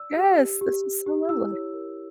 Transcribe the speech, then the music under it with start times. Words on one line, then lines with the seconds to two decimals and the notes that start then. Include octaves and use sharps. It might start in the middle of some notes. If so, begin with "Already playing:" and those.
Yes, this was so lovely.
Already playing: D5 E6
0.16 G4
0.39 G4
0.61 G4
0.84 G4
1.06 G4
1.29 E4 E6
1.52 C#5
1.74 A#4